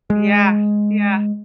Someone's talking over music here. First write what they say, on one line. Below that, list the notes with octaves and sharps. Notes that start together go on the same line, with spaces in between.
Yeah, yeah.
G#3